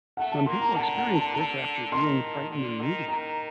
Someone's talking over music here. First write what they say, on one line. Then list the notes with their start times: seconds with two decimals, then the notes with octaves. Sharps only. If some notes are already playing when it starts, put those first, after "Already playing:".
Some people experience this after viewing frightening media.
0.17 A3 F#5
0.32 A5
0.46 A#3 C6
0.61 A#5
0.75 D3 A5
0.95 F#5
1.15 A5
1.34 A5
1.92 D#3 C6
2.51 D3
2.80 D#3
3.08 D#3 A#5